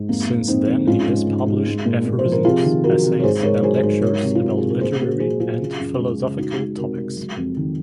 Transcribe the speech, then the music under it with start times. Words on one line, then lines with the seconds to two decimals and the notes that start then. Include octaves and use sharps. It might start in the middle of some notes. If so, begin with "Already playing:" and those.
Since then, he has published aphorisms, essays and lectures about literary and philosophical topics.
Already playing: G#2
0.08 F2 A#3
0.29 G#3
0.48 F2 C4 D#4
0.67 F2
0.87 G#2 C#4 F4
1.08 G#2
1.27 G#2
1.46 G#2
1.66 G#3
1.85 A#2
2.06 A#2
2.19 C5
2.25 F3
2.32 A#4
2.44 C3 F4 G#4
2.64 D#3
2.84 F#3 F#4 A#4
3.03 C3
3.20 C#5
3.23 G#2 G#4 C5
3.43 G#2 A#4 C#5
3.63 F#3 G#4 C5
3.83 G#2 G#4 C5
4.02 F#3 A#4 C#5
4.22 C3
4.35 F4
4.42 F#3
4.48 F#4
4.58 C3 G#4
4.70 A#4
4.81 A#2 G#4 C5
5.00 A#2 F#4 A#4
5.20 F#3 G#4 C5
5.40 F#3 F4 G#4
5.59 C#3
5.80 F#2
6.00 G#3
6.20 C#3
6.39 G#3 D#4 F#4
6.59 G#3
6.77 C3 F#4 A#4
6.97 G#3
7.17 F#3
7.37 F2
7.57 D#3